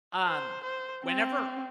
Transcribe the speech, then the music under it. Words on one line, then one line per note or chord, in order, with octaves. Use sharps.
Um, whenever
C5
C5
C4